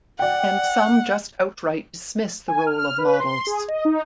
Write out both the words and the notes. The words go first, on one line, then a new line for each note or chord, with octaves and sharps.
And some just outright dismiss the role of models.
D5 F#5 G5
G#5
F6
F6
B4
C6
G#4
D#5
D#4